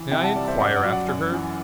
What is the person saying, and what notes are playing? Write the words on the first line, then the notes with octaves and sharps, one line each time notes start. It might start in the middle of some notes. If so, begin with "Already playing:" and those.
May I enquire after her?
Already playing: E3
C3 E5 G5
F#5 A5
G3 D5
C5 E5
F#2 D5 F#5
D5 F#5
F#3
D5 F#5
F#2
E3